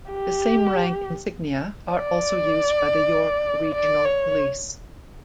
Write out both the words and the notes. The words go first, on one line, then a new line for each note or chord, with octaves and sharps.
The same rank insignia are also used by the York Regional Police.
G4
D5
D5
C#5